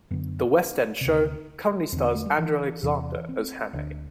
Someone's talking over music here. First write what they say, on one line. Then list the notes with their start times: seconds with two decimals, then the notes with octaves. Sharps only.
The West End show currently stars Andrew Alexander as Hannay.
0.11 F#2 D3 B3
1.01 D2 C3
1.92 E2 D3 C4
2.03 B3
2.15 A3
2.26 G3
2.38 E3
2.83 E2 C3 E3
3.29 C4
3.73 D2 D3